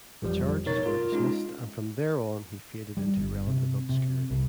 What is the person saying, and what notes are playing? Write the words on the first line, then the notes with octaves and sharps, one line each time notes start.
The charges were dismissed and from thereon he faded into relative obscurity.
A1 F2 F3 G3
B2 D#4 A#4 C#5 A6
F4 A#4
G#3 C#4 D#4 F4
G3
G1
C3
C3
C2